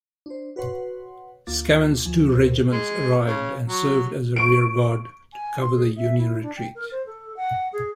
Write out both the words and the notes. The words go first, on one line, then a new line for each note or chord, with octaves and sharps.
Scammon's two regiments arrived and served as a rear-guard to cover the Union retreat.
D4 C5
F#4 B4 C#5 F#5 C6
D2 A#3 F4 F5 D6 A6
D2 F3 G#5
D2 A#2 F#4 A#4 C5
G#3
C#3
F#3
C#6 D7
G#5
C6
G#4
E5
E4
D4
G5
A#4
C5
A4
F#5
G#4